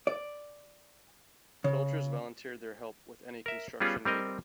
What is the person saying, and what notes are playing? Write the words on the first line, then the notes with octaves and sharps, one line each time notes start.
Soldiers volunteered their help with any construction needed.
D5
C#3
A#4 E5
G3 B3 C#4 F4 G#4
G3 C4 A#4 D#5